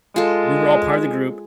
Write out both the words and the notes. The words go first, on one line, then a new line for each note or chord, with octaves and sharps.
we were all part of the group,
G#3 F4 A4